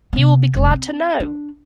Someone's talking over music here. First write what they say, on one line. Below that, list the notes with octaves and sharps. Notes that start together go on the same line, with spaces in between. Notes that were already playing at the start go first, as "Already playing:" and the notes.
He will be glad to know!
C3 B3
F1 G#3
C4
D4